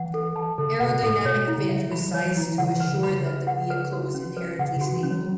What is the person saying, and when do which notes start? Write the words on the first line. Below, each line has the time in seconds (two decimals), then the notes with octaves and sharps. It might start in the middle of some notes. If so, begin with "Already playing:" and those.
Aerodynamic fins were sized to assure that the vehicle was inherently stable.
Already playing: E3 F#5
0.14 A4
0.36 A5
0.58 C#3 A4
0.80 B2 F#5
1.03 A2 A4
1.25 B2 C#5
1.48 E4
1.58 C#3
1.69 E5
1.83 F#3
1.92 E3 B5
2.09 F#3
2.14 C#5
2.26 E3
2.37 E3 E4
2.58 C#3 F#5
2.75 E3 B4
2.92 C#3
3.03 B5
3.09 C#3
3.26 B4
3.47 F#5
3.70 B4
3.93 F#4
4.14 C#4
4.37 B4
4.59 C#3 F#5
4.76 C#3 F#4
4.92 E3
5.03 C#4
5.10 F#3